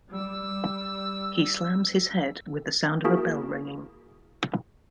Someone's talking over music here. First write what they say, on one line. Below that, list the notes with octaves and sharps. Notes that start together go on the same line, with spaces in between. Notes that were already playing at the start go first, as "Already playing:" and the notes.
He slams his head, with the sound of a bell ringing.
G3 E6
A#3 E4 F#4 G#4 A#4